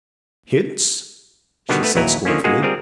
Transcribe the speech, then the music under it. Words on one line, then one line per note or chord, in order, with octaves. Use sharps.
"Hints!" she said, scornfully.
B2 D3 D#3 G3 B3
A3 B3 B4
A#1 D#2 F#3 E4 B4 A#5
D3 D#3 F3 A#3 C#4
G#3 A#3 F4 F#4 G#4
G3 C4 F4 G#4 A#4